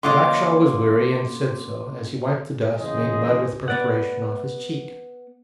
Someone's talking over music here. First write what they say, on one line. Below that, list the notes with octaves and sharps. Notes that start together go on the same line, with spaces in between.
Blackshaw was weary, and said so, as he wiped the dust, made mud with perspiration, off his cheeks.
F#2 D3 A#3 F4 C#5 D#5 C6 D6
F#1 E2 G#4 C5 D#5
B3 D5 F#5